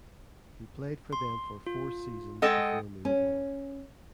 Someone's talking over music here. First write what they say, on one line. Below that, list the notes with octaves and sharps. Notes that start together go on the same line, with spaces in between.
He played for them for four seasons before moving on.
C6
F4
G#3 A4 D#5 F#5 G5 D#6
C#4